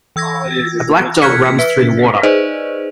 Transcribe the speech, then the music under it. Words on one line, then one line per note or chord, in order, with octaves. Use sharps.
A black dog runs through the water.
E3 E6 G#6 A#6
F6 F#6 G#6 B6 C#7
B4 E5 B6
D#4 G#4 B4 C5 D5 D#5